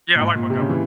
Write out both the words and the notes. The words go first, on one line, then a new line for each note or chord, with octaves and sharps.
Yeah, I like Montgomery.
A#2
G#2
A#2
C3
C#3
E3